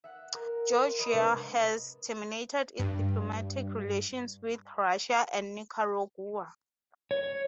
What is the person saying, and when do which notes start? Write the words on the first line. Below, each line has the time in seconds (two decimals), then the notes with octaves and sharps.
Georgia has terminated its diplomatic relations with Russia and Nicaragua.
0.04 E5 F#5
0.34 A#4
0.72 C6
0.99 A#4 B4 C#5 D#5 B5
1.13 C3 G#3 B3 D4
2.79 G2
7.11 C#5